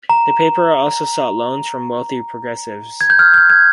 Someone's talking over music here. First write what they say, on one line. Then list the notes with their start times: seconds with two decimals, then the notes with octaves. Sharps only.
The paper also sought loans from wealthy progressives.
0.09 A#5
3.01 G#6
3.10 G6
3.19 F6
3.34 G6
3.50 G#6